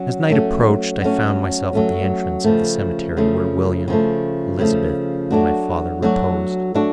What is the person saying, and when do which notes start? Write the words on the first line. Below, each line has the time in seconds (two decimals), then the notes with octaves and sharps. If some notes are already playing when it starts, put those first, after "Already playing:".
As night approached I found myself at the entrance of the cemetery where William, Elizabeth, and my father reposed.
Already playing: F#3 C#4
0.30 F#3 A3 C#4
1.01 F#3 A3 C#4
1.73 F#3 A3 C#4
2.44 C#3 F3 A3
3.17 C#3 F3 A3
3.88 C#3 F3 A3
4.59 C#3 F3 A3
5.31 F#3 A3 D4 F#4
6.02 F#3 A3 D4 F#4
6.74 F#3 A3 D4 F#4